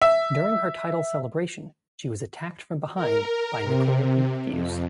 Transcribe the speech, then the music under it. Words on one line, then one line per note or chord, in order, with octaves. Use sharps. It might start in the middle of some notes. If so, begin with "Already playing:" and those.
During her title celebration, she was attacked from behind by Nicole Matthews.
E5
A#4
C3
F2